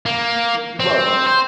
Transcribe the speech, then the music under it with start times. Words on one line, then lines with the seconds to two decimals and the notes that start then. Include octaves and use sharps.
You you love him.
0.06 A#3
0.80 C4
1.27 C5